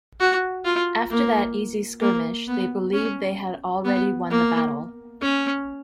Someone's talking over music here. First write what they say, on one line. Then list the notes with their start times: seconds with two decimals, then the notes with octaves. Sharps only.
After that easy skirmish they believed they had already won the battle.
0.20 F#4
0.65 F4
1.11 A#3
2.02 A#3
2.48 B3
2.93 C#4
3.85 B3
4.30 A#3
5.21 C#4